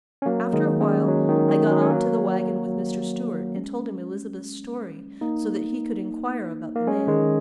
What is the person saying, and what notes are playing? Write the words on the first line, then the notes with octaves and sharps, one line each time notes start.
After a while I got on to the wagon with Mr. Stewart and told him Elizabeth's story so that he could inquire about the man.
C#4
F#3 A#3
D#3 G#3
G#3 C#4
F#3
D#3
D#3
F#3
C#4
F#3 A#3
G#3 C#4
A#3 D#4
A#3
G#3 C#4
D#3 G#3